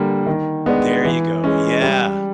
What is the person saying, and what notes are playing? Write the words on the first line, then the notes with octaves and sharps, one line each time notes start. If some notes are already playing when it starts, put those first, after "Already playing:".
There you go, yeah.
Already playing: D3 G3 A#3
D#3
G#3 B3 D4
E3
G#3 C#4
G3